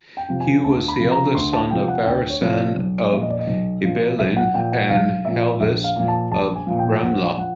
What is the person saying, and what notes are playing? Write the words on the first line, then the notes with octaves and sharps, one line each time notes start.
Hugh was the eldest son of Barisan of Ibelin and Helvis of Ramla.
G5
C3 F3
G#5
D2 A5
B5
C3 F3
A#5
D2 C6
A5
C3 F3 G5
F#5
D2 G5
C#5
C3 F3
D5
B1
A#2 F3 E5
D#5
D5
D#5
B1
A#2 F3
B1 E5
F#5
A#2 F3 G5
F#5
B1 F5
A#2 F3 E5
A#1 E5
F5
A#2 F3
A5
A#1 A5
G#5
A#2 F3
G5
A#1 F#5
F3 F#5